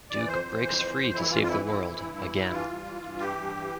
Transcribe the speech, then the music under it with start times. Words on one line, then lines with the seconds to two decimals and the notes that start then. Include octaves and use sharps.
Duke breaks free to save the world, again.
0.10 E3 D5
0.28 F2 C5
0.45 E3
0.62 F2
0.79 E3
0.97 F2
1.14 E3 E4
1.31 F2 F4
1.43 F4
1.48 E3 E4
1.65 F2 E4
1.83 E3
2.00 G2
2.17 E3
2.35 G2
2.51 E3 F4
2.69 G2
2.86 E3
3.03 G2
3.20 E3 G4
3.37 G2
3.55 E3